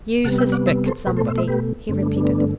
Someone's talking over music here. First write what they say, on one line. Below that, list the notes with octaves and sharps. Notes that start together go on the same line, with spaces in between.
"You suspect somebody," he repeated.
C3 G3 B3 F#5 A5
E5 G5
D5 F#5
C5 E5
A4 C5
B2 A3 G4 B4
A4 C5
C5 E5
C5 E5
G4 B4
G2 D3 A3 C4
B3 D4
B3 D4